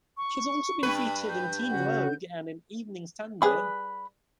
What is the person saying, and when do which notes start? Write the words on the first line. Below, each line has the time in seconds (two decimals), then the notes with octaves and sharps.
She has also been featured in "Teen Vogue" and in "Evening Standard".
0.17 C#6
0.83 G2 B4
1.29 G6
1.71 C#3 F#4
3.42 G3 G#4 B4 B5 F#6